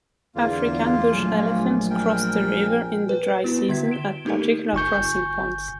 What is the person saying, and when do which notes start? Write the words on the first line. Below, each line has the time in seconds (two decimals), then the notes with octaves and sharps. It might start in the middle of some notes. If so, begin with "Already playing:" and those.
African bush elephants cross the river in the dry season at particular crossing points.
0.35 E2 D3 A#3 F4
1.13 A#1 F#3 A3 G#5
1.90 A#4 G5
3.09 B4
3.44 B3 E4 F#4
3.69 D3 E5 G#6 B6
3.91 D7 E7 G7
4.25 A3 A#3 D#4 G4 A4 A#4
4.73 G1 G#5 C#6 G6